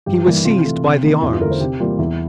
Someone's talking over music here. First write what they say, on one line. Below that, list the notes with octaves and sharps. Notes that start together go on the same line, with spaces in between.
He was seized by the arms.
G2 G4
E3 G3 A#3
C3 F4
E3 A3
C3
E3 A#3
E2 E4
F4
D3 A3 A#4
C5
C3 G4
E3 G3 A#3 F4
E2 E4